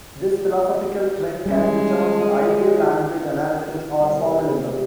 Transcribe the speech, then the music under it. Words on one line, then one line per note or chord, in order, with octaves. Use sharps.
This philosophical trend can be termed "ideal-language analysis" or "formalism".
G3 G#3 C#4
C2
C3